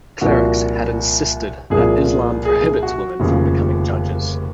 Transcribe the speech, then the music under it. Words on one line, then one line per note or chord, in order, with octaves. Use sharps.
Clerics had insisted that Islam prohibits women from becoming judges.
C2 A#2 F3 F#4
C2 A#2 F3 G#4
G#4
F#4
F1 D#2 C#3 F3